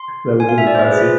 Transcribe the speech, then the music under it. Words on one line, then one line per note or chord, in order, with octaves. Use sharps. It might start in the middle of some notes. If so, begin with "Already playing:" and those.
That would be impressive.
Already playing: C6
G#5
F5
E5
D5
C5
B4
G#4
F4